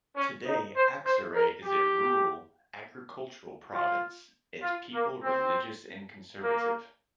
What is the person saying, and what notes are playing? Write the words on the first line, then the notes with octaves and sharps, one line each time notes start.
Today Aksaray is a rural, agricultural province, its people religious and conservative.
C#4
D#4
C5
C5
A#4
G4
F4
F4
A#3
C4
A#3